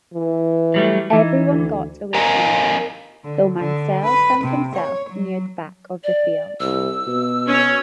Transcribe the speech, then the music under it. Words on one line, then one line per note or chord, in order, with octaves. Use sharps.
Everyone got away cleanly, though Mansell found himself near the back of the field.
E3
F#3 G3 A3
E3 D#4
D2
A#4 D#5 F5 G#5 A#5
D3
D3
B4
C3
C#5
F#3
D5
C2 E6
B2
C#4 C#5